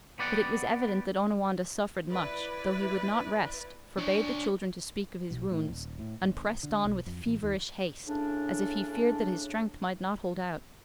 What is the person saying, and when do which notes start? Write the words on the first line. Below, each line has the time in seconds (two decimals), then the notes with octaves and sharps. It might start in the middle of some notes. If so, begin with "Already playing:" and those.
But it was evident that Onawandah suffered much, though he would not rest, forbade the children to speak of his wounds, and pressed on with feverish haste, as if he feared that his strength might not hold out.
0.19 B3 G4 D5 F#5
2.10 E4 B4 D5
3.98 D4 C#5
5.31 B1
5.51 A2
5.68 D#1
5.99 A2
6.23 G1
6.63 D3
6.84 B1
7.06 F2
7.25 A1
7.42 D#2
8.07 A2 C#3 C#4 D4